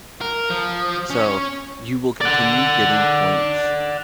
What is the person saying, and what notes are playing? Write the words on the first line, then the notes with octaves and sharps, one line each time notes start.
So, you will continue getting points
A#4
F3
C#4
D5 F#5